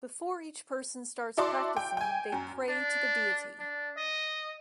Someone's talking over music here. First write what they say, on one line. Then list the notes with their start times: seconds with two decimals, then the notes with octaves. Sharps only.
Before each person starts practicing, they pray to the deity.
1.37 E4 F#4 D5 A5 C6 D6
1.77 G5
1.97 G5 G#5
2.32 F#2
2.68 D4
3.59 D4
3.97 D#5